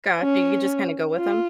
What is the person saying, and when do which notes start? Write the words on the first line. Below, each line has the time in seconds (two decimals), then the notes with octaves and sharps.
Gotcha. You just kinda go with them?
0.20 C#4
1.16 F4